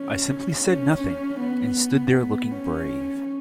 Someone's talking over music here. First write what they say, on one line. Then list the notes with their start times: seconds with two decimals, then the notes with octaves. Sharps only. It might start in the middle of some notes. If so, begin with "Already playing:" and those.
I simply said nothing, and stood there looking brave.
Already playing: C#4
0.64 C#4
1.40 B3
2.14 B3
2.52 C#4